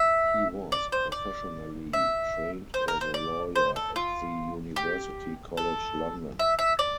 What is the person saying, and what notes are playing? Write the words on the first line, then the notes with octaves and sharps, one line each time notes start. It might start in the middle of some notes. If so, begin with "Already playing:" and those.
He was professionally trained as a lawyer at the University College London.
Already playing: E5
D5
C5
D5
E5
C5
A#4
C5
D5
C5
A4
F4
G4
A4
E5
E5
D5